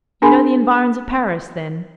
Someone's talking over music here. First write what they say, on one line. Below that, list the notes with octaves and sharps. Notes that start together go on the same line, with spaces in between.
"You know the environs of Paris, then?"
D4 G#4 A#4 G#5 B5 C6